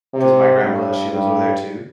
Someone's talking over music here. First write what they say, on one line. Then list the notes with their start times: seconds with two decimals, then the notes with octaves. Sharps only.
'cause my grandma, she lives over there too,
0.14 C3
0.63 G2
1.13 G2